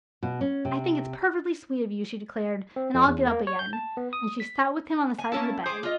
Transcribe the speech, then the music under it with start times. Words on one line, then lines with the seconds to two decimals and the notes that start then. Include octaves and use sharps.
"I think it's perfectly sweet of you," she declared, "and I'll get up again," and she sat with him on the side of the bed.
0.23 B2
0.41 C#4
0.65 C3
2.76 C4
2.94 F2
3.08 E2
3.27 A#3
3.47 C#5
3.59 G6
3.73 A5
3.97 B3
4.13 D#6
4.40 B6
5.18 G#5
5.32 A#3 C#4 E4 A5
5.66 G#4 C5 D6
5.83 F4 D#5